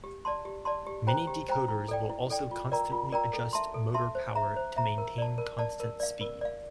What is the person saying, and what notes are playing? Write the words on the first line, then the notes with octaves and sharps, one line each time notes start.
Many decoders will also constantly adjust motor power to maintain constant speed.
G4
D5 A5 C6
G4
D5 A5 C6
G4
C5 G5 A#5
G4
C5 G5 A#5
E4
A4 D5 G5
E4
A4 D5 G5
F4
A#4 D5 G5 A#5
F4
A#4 D5 G5 A#5
A4
E5 A5 C6
A4
E5 A5 C6
C5
E5 A#5
C5
E5 A#5
A#4
D5 A5
A#4
D5 A5
A#4
D5 F5
A#4
D5 F5